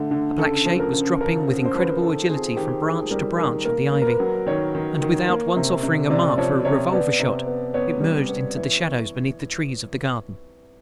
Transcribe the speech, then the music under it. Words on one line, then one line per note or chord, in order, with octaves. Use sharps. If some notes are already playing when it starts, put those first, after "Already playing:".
A black shape was dropping, with incredible agility from branch to branch of the ivy, and, without once offering a mark for a revolver-shot, it merged into the shadows beneath the trees of the garden.
Already playing: D3 A3
D3
C#3 A4
F3
A#4
C#3
C#3 A#4
C#3
C5
F3 B4
A#4
D#3 A4
C4 G#4
D#3 G4
D#3 G#4
G3 A#4
D#3 A#4
A#3 A#4
A#3
A#4
B4
F#3
D#3 C#5
D#3
D#3
A#3
C3
C3
C3 D5
F3 C#5
C3 C#5
B3 D5
C3
B3
B3 C#5
G3
B3
E3